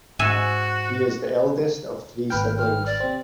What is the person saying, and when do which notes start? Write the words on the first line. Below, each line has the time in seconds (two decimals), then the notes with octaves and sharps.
He is the eldest of three siblings.
0.19 G#2 F#4 E5 G#5
2.30 G#1 B4 G5 F6
2.58 F6
2.86 D5
3.00 C3 C4